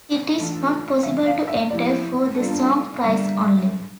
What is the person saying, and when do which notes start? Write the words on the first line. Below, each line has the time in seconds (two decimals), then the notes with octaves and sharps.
It is not possible to enter for the "Song Prize" only.
0.36 E3 A3 D4 F4 A4
1.03 D3 F3 A3 E5
1.26 F5
1.48 E5
1.70 F3 A#3 E4 G4 D5
2.37 G3 A#3 D4 F4 A4
3.04 D3 G3 A#3 E5